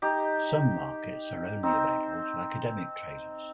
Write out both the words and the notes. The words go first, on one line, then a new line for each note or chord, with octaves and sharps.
Some markets are only available to academic traders.
D#4 G4
C4 D#4